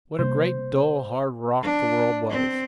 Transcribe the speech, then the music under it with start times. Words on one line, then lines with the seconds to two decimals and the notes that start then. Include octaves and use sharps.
What a great dull hard rock the world was!
0.19 C3 G3 A#3 C5
1.63 D4
2.30 C4